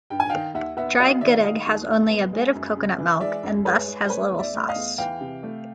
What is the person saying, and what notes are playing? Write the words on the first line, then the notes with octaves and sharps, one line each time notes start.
Dry gudeg has only a bit of coconut milk and thus has little sauce.
G2 G5
G#5
D#3 F5 G5
D#2 E5 F#5
B3 E5 F#5
F#3 D#5 F5
D#3 D5 E5
D#3 D#5 F5
D#2
D#2
B3
G#3
F#2
C#3
E3
G#3 D5 E5
F#2
G#3 B4 C#5
G#3
C5
A3 B4 C#5
E2
D5 E5
A3
D#5 F5
E2
E3 F5 G5
C3
A3